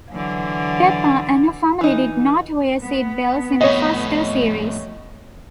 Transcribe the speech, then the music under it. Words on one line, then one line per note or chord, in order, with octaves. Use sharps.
Peppa and her family did not wear seat belts in the first two series.
D3 E3 F#3
E3 D#4
B3
F2 A2 C#5 D#5